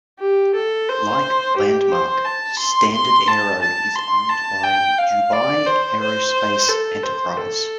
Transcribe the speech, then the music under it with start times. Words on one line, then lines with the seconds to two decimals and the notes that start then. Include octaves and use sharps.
Like Landmark, StandardAero is owned by Dubai Aerospace Enterprise.
0.20 G4
0.55 A4
0.89 C5
1.57 G4
1.91 C5
2.25 A5
2.59 C6
2.93 C6
3.27 A5
3.62 A5
3.95 C6
4.29 A5
4.63 G5
4.98 F5
5.33 D5
5.66 C5
6.01 C5
6.69 A4
7.03 C5
7.37 A4